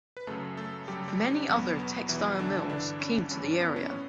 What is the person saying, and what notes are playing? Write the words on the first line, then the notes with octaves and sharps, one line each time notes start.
Many other textile mills came to the area.
B4
F#2 C#3 F#3 A3 A4
A3 A4
F#2 C#3 F#3 G3 G4
G3 G4
C#4
E2 B2 F#3 B3
B3
E2 B2 E3 F#3 E4
D3 D4
G2 D3 E3 D4
C#4
G2 E3 C#4
C#4
B3
C#4
A2 C#4